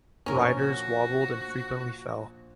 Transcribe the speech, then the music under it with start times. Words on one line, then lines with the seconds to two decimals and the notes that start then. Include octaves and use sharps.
Riders wobbled and frequently fell.
0.26 A#1 C#4 A#4
0.56 F#4